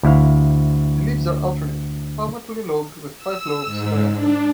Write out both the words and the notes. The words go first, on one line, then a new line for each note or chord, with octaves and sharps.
The leaves are alternate, palmately lobed with five lobes, in diameter.
D2 E4 F5
E6
G#2
D4